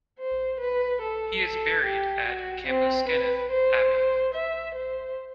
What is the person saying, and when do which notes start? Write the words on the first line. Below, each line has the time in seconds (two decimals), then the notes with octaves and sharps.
He is buried at Cambuskenneth Abbey.
0.19 C5
0.60 B4
1.02 A4
1.43 A4
1.84 G4
2.26 F#4
2.67 C4
3.09 B4
3.51 C5
4.34 E5
4.75 C5